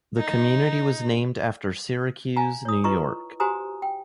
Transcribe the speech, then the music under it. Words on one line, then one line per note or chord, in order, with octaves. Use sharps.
The community was named after Syracuse, New York.
D#4
F5 G#5 A#5
C#5 D#6
E4 F4 B4 D#5 A#5 C#6
F#4 G4 C5 G#5 A#5 D#6
G5